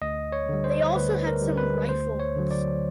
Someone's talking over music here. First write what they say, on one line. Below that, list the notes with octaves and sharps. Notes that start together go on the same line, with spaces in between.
They also had some rifles.
D2 D#5
C#5
D3 G3
C5
D2 B4
A#4
D3 G3
B4
D2 C5
C#5
D3 F#3
D5